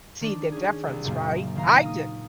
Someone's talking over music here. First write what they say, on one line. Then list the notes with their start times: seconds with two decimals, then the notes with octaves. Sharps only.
see the difference, right? I didn't.
0.21 D#3 D4
0.52 C#4 G#4
0.87 C2
1.04 C#2 F#2 A#2 A#3
1.56 D#3 F5 A#5
1.86 D#6